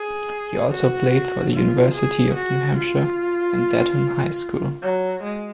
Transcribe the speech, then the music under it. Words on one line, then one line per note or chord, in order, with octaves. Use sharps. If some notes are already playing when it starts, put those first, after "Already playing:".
He also played for the University of New Hampshire and Dedham High School.
Already playing: G#4
F#4
F4
G#4
F#4
F4
F#3
G#3